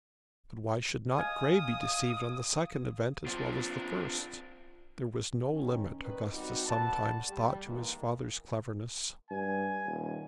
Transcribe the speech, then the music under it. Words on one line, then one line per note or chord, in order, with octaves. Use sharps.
But why should not Grey be deceived on the second event as well as the first. There was no limit, Augustus sometimes thought, to his father's cleverness.
D#5 F5 G#5 D#6
C4 D4 F4 C5 D5
D#3 C#4
D#3 A#4 B4 D5
G3 C4 D#4 F#4
A3 B4 D5 F#5 A5
G3
G#2 E3 A#3
G2 G#5
D#1